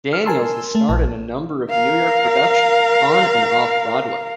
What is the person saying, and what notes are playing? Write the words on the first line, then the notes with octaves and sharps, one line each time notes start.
Daniels has starred in a number of New York productions, on and off Broadway.
F6
A#4 G#5 A5 C6 E6
A3 A5
A#1 A5
A#4 F5